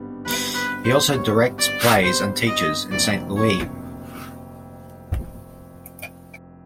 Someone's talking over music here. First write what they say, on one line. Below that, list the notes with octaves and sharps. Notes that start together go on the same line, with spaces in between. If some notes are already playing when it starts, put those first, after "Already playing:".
He also directs plays and teaches in Saint Louis.
Already playing: G#1 G2 D3 G3 B3
G#1 G2 D3 G3 B3 B4
B4
C5
G#1 G2 D3 G3 B3 C#5
D5
G#1 G2 D3 G3 B3 C5
D#5
F1 F2 D3 F#3 A#3 D5
C#5